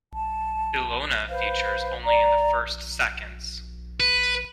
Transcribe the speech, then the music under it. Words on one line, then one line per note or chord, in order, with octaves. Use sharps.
Ilona features only in the first seconds.
A5
B4 C5 F5
D5 A#5
B4